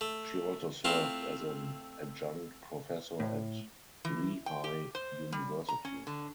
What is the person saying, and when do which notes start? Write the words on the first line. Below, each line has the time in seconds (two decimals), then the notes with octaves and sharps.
She also served as an adjunct professor at Lehigh University.
0.01 A3
0.85 A3 C4 E4 F4
3.20 A2
4.05 E3
4.46 G5
4.64 G4
4.95 C5
5.32 G3
5.68 A#5
5.85 C#4
6.07 D3